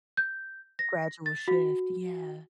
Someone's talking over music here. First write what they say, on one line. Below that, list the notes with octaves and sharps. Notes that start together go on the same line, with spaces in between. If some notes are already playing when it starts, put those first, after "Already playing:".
Gradual shift, yeah.
G6
A#6
A6
F#4